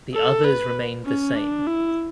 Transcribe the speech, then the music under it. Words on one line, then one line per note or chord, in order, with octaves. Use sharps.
The others remained the same.
A4
B4
C#4
D4
E4